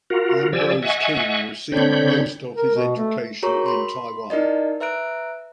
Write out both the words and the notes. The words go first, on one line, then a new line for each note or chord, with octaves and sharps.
Ambrose King received most of his education in Taiwan.
F4 F#4 A#4
F3 G4 D5 G#5 E6
D#5 E5 F#5 G#5 C#6
D3 C4 D4 C#5 B5 G6
A#4
B2
A3
F#4 G#4 A#4 C#5 A#5 C#6
B5 C6
D#4 E4 A#4 D5 D#5
B4 E5 A#5 F#6 D7